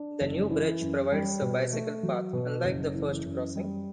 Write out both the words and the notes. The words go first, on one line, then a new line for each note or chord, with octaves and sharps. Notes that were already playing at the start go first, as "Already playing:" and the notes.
The new bridge provides a bicycle path unlike the first crossing.
Already playing: D4
F#1
E3
F#2
G3
B2
A3
F#3
B2
F#1
E3
F#2
G3